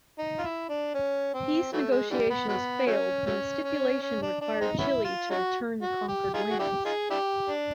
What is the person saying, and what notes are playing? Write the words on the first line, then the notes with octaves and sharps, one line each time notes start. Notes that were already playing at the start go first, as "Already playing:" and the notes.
Peace negotiations failed when a stipulation required Chile to return the conquered lands.
D#4
F4
E4
D4
C#4
C4
E3 F#3 A3
G#3
D3 E3 G3
B3
F#3 G#3 B3
F#3 A3 C#4
F#3 A3 C#4
C#4
C#4
D4
D4
G#3 C4 D#4
B3 C#4 E4
F4
C#4 D#4 F#4
F#4
G4
D#4 F4 G#4
F#4
D4 E4 G4
D#4 F4 G#4
D4 E4 G4
D4